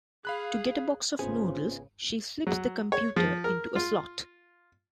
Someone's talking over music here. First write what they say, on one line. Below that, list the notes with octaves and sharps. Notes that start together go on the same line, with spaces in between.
To get a box of noodles, she slips the computer into a slot.
G#4 F5 B5 F#6
G#1 C#3 B3 C#4 F4 G#4 C5
F#3
C#5
F3
A#4
F4